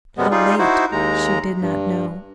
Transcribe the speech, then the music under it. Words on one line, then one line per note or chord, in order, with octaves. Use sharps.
How late she did not know.
F#2 C3 G3 G#3 B3
G3 D#4 F4 G#4
D#4 E4 F#4 C5
D#2 G#3 A#5
G2